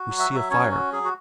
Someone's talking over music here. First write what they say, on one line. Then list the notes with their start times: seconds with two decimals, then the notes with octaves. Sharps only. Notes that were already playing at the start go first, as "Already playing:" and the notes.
We see a fire.
Already playing: F#4
0.08 F#3
0.19 E5
0.29 F#3 E5
0.50 C#4 C#5
0.71 F#4
0.92 F#3 G#4
1.05 F#4